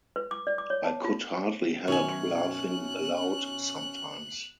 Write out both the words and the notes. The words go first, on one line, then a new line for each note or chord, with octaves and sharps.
I could hardly help laughing aloud sometimes.
B4
D6
D5
D6
C#5
A5
F4
F#2 B2 D#3 C#4 C#5 G#5 F#6